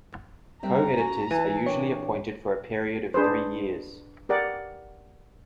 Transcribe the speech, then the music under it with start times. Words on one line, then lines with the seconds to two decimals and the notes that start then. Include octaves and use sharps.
Co-editors are usually appointed for a period of three years.
0.63 G3 C4 E5 A#5
0.97 C#4 F#4 G#5
1.31 E3 G#5
1.66 A#2 D4 C#5 G5
3.14 D4 G#4 B4 C5
4.29 G4 A#4 D5 F#5